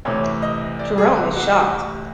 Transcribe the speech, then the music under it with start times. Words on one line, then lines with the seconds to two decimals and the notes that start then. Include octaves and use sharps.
Jerome is shocked.
0.05 D2 C3 E3 C#5
0.42 D#5
0.79 D5
0.98 G#4
1.16 F#4
1.35 F#4
1.47 G4
1.59 F#4